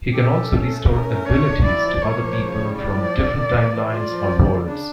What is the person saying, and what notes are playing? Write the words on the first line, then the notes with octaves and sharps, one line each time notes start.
He can also restore abilities to other people from different timelines or worlds.
G4 A4
C#4
C#4
A3
C#4 A#4
A3
D4 C#5
D4
E4 D5
F3
A#3 C#5
F3
C#3
G3
A2 D5
F3
D3
A#3
E3
E3
F4 D5
F3
F2
C#3
D4